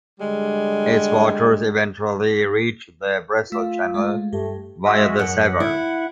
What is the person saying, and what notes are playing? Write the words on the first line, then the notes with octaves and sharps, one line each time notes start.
Its waters eventually reach the Bristol Channel, via the Severn.
D3 G3 G#3
A3 F4 E6 B6
G#3 A3
G2 A3 G4
G#3 F#4 E5
F#2 F#5
E4